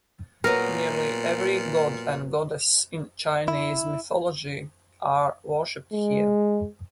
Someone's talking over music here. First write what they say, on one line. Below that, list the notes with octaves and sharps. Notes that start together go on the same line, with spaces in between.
Nearly every god and goddess in Chinese Mythology are worshipped here.
A#2 F#3 B3 A#4
E4
G#3